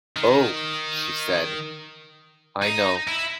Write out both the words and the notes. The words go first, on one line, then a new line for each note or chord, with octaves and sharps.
"Oh," she said; "I know."
D#3
D#4
E4